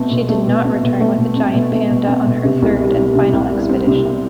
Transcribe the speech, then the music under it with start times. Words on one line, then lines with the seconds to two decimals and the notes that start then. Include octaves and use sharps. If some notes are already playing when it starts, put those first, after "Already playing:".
She did not return with a giant panda on her third and final expedition.
Already playing: B2 A3 C4
0.11 B2
0.29 A3
0.47 B2
0.65 C4
0.83 B2
1.00 A3
1.18 B2
1.37 C4
1.54 B2
1.72 A3
1.90 B2
2.07 C4
2.26 B2
2.44 C3
2.62 C2
2.80 G3
2.98 C4
3.16 C3
3.33 C2
3.51 G3
3.69 C4
3.87 C3